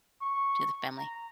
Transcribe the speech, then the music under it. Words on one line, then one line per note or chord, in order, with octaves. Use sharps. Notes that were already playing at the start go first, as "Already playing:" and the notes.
to the family.
C#6
A#5